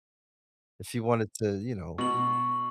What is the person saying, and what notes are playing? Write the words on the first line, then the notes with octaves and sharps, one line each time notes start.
if you wanted to, you know
B2 C#6 F#7